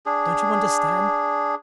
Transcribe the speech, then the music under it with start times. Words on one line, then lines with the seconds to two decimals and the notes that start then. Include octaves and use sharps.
Don't you understand?
0.06 D4 G#4